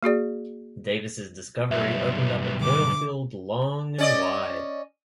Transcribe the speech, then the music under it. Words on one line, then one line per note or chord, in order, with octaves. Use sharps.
Davis' discovery opened up an oilfield long and wide.
A#3 F#4 G#4 D5
B1 G2 E5
D3 D6
C#4 D5 D#5